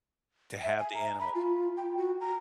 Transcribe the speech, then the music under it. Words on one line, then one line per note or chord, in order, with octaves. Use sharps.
To have the animals
E5
G#5
A#5
B5
F4
G5
F#4
A#5